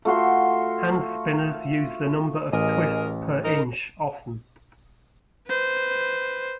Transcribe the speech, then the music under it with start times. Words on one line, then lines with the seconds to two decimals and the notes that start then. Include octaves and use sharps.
Handspinners use the number of twists per inch often.
0.05 A3 F4 F#4 C6
2.53 A1 G#4 A#4 D#5
3.44 D#4 A#4
5.47 B4 C5